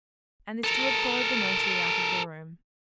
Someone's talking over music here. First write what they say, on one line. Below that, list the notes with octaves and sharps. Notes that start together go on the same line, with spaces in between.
And the steward followed the notary out of the room.
A4 A#4